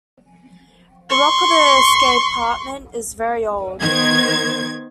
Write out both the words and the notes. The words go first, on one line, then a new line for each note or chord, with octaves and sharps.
The rock of the escarpment is very old.
C6 C#6
D#3 B3 C5 G#6